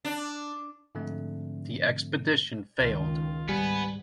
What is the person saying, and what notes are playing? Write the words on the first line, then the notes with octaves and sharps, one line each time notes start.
The expedition failed.
D4
G#2 D3 F3 A3 C4
C#2 D#3 F4
G#2 G3 B3 B4 G#5